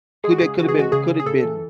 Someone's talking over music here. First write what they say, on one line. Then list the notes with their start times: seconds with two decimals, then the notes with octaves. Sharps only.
could they could have been could it have been,
0.24 G#3 G#4
0.30 F#4
0.38 C#3 G#4
0.58 E3 F#4
0.69 G#4
0.75 G#3 F#4
0.92 C#3 G#4
1.10 C#3
1.20 G#4
1.26 C#3 A4
1.44 E3